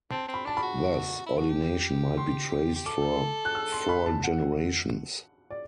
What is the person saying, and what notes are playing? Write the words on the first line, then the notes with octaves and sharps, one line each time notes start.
Thus ordination might be traced for four generations.
C4 A5
C4
B5
D4 A5
B5
F#4
E4
F#4
G4
C6
G4
A4 D6
F#6
E6
C6
B5
A5
F#5
D5